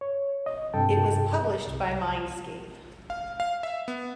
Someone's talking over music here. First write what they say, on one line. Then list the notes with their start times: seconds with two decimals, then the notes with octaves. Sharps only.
It was published by Mindscape.
0.01 C#5
0.46 D#5
0.74 G2 C3 A4 G5 A5
1.67 C2
3.10 F5
3.40 F5
3.63 E5
3.88 B3